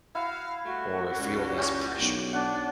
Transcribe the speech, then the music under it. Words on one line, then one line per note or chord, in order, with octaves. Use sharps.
or feel less pressure?
E4 F#4 F5
G3 A3 F#4
C#2 A#2 G3
C#4 G4 C#6
B1
D4 F#5